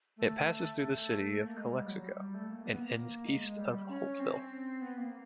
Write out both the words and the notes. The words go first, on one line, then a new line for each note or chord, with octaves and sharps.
It passes through the city of Calexico and ends east of Holtville.
A3
A#3
G#3
G3
F#3
G3
A3
A#3
B3
A#3
G#3
G3
C#4
C4
B3
A#3